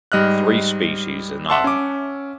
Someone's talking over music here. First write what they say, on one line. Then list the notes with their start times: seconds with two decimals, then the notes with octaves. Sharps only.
Three species are known.
0.12 G#2 G3 D#5 F6 F#6
1.49 E5 F#5 A5 C6 E6
1.64 C#4 D6